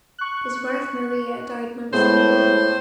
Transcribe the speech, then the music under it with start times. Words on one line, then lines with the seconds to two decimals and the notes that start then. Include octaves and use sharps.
His wife Maria died months later.
0.19 C#6 F#6
1.93 A2 G#3 B3 C5